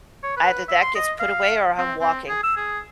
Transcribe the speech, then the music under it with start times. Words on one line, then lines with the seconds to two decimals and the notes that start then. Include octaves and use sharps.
"Either that gets put away or I'm walking."
0.23 C#5
0.37 B4
0.68 E5
0.82 C6
0.95 D#5
1.20 F5
1.78 C4
2.01 C4
2.29 G#4
2.43 E6
2.56 G#4